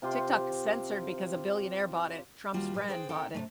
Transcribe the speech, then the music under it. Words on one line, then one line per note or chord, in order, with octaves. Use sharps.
TikTok is censored because a billionaire bought it. Trump's friend bought it,
C3 F4 G4 C6
D#2 G3 F4 F#4
A#2 G3 G4 A#4 B4
G#4 B4 C5 D5 F#5 G5
C4 D#4 A4 A#4 F#5 G5
C3 D#3 A3